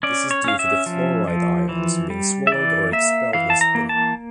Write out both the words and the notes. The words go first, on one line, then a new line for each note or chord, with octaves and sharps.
This is due to the fluoride ions being swallowed or expelled when spitting.
C#4 D5
C#5
C#4 F5
E5
F3
F3
E3
G3
E5
E3 D5
A#3 E5
E3 F5
A5
A#5
A#3
A5